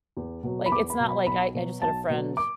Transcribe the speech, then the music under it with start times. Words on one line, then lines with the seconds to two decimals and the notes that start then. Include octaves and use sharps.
Like, it's not, like I I just had a friend,
0.17 E2
0.43 B2 F#3
0.66 B5
0.71 E2 D6
0.90 B5
1.00 B2 F#3
1.09 B5
1.27 B1 B5
1.54 B2 F#3
1.82 B1 A5
2.10 B2 F#3
2.37 D6